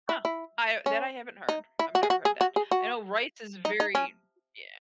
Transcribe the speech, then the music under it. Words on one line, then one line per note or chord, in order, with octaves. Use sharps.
Huh, I that I haven't heard. I've never heard of that. I know rice is very yeah.
E4
E4
C#4
D#4
E4
F#4
G#4
F#4
G#4
F#4
G#4
F#4
D#4
D#4
C#4